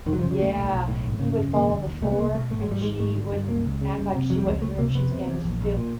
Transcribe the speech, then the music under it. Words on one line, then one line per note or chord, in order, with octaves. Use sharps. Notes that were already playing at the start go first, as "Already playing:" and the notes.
Yeah, he would fall on the floor and she wouldn't act like she was in the room, she'd stand as still
F1 D#3
F#3
F3
C#3
F#3
D#2 A3
B1
B1
A2
G#1
C#3
F#2
E1 A#3
D3
D#2
C2 A3
B3
C2 A#3
B2 A3
G#1 A3
G#3
G#1 G3
G#2 G#3
G#1 A3
D3
G2
C#2 A#3
C#2
C#3
F#1 G3
C3
F2 F#3
G3
C#2 G#3
C#2 A3
C3 A#3
F1 B3
C3
E2
A#1
A#1
A#2